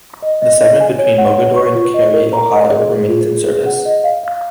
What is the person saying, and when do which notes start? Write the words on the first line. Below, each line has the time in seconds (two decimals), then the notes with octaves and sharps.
The segment between Mogadore and Carey, Ohio, remains in service.
0.22 D#5
0.42 D#5
0.61 D#5
0.80 G#5
0.99 C#5
1.18 F#5
1.37 C#5
1.56 C#6
1.75 F4
1.94 D#5
2.13 A#4
2.33 A#5
2.51 D#5
2.71 G#4
2.90 G#4
3.09 F4
3.28 G#4
3.47 G#4
3.66 F#5
3.85 D#5
4.04 F5
4.23 F5